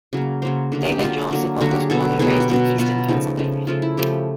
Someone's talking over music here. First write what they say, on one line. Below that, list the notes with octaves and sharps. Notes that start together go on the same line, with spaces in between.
David Joel Zippel was born and raised in Easton, Pennsylvania.
C#3 F#3 A#3
C#3 F#3 A#3 C5
D3 F#3 A#3
G#4
G4
D3 F#3 A#3 F4
D3 F#3 A#3
D3 F#3 A#3 F#4
G4
G#4
B2 F#3 B3 A4
B2 F#3 B3 G#4
G4
F#4
B2 F#3 B3
B2 F#3 B3 F4
C#3 F3 A3 D#4
C#3 F3 A3
C#3 F3 A3 F4
E4
C#3 F3 A3 G4